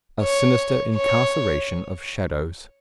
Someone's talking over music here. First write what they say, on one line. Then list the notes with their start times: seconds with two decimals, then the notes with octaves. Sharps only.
A sinister incarceration of shadows.
0.22 C#5
0.95 C#5